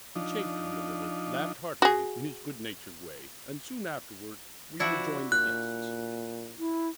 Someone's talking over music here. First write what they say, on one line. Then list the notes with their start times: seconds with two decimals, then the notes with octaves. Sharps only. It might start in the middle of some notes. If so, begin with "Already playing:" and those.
He chaffed me a little, laughed heartily in his good-natured way, and soon afterwards we rejoined the guests.
0.15 F3 D4 D#4
1.82 F#4 G#4
4.79 F3 D4 E4 F#4
5.32 A#2 F#6
6.59 E4